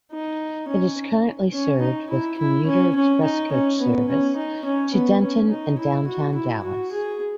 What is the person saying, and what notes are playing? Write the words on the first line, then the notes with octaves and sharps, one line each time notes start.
It is currently served with Commuter Express coach service to Denton and downtown Dallas.
D#4
C#4
C#4
D#4
E4
E4
C#4
C#4
D#4
C#4
B3
C#4
D#4
C#4
B3
C#4
D#4
E4
F#4
E4
F#4
G#4